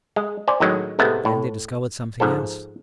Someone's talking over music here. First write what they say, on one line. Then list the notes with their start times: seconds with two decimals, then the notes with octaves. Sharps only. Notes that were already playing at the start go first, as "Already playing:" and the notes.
Then they discovered something else.
0.16 G#3
0.48 C5 D5 G#5
0.60 A2 D#3 F#3 G#3
0.99 A2 C3 G#3 A3 B3
1.25 A2
2.20 G#2 F3 A4